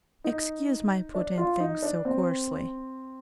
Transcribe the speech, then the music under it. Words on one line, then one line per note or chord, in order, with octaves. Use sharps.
Excuse my putting things so coarsely.
D#4
D4
F4
D#4
D4
C4